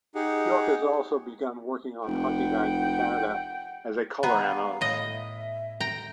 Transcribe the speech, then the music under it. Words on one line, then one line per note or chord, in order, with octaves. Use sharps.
York also has begun working on Hockey Night in Canada as a colour analyst.
D#4 G4 G#4 F#5
F1 F#5 G5
B3 G#4 A#5
F5
A2 D#5
E5
G5 A#5